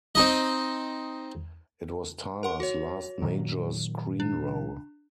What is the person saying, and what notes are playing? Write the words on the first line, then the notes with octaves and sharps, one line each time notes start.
It was Tyler's last major screen role.
C4 D#4 D#5
A#4 F#5 C6
F#4 C#5
A#2 D#3 F#3
D4